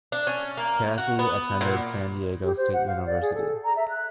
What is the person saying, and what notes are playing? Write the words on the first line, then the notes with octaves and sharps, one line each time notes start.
Kathy attended San Diego State University.
D4
C#4
A#3
F#4
B3
A#2
G4
C5
F#5
F5
D5
G#4
A4
A#5
E5
F#6